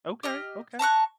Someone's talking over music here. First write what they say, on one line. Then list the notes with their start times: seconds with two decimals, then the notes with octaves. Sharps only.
Okay, okay.
0.23 G4 D#5 F6
0.79 A5 A#5 C#6 F#6